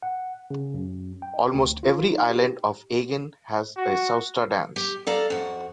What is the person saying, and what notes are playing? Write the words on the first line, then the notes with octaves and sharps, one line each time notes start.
Almost every island of Aegean has a sousta dance.
F#5
C#3
F#2
G5
D2
F4
D#4
G4
F#4
G4
A4 D5 F5 A#5
F2 F#4